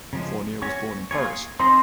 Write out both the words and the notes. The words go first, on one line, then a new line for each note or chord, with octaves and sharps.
Fournier was born in Paris.
C#3 F3 G#3
C#4 F#4 C#5 C#6
A#3 F4 G#4 C#5
C4 D#4 G#4 C5 D#5 C6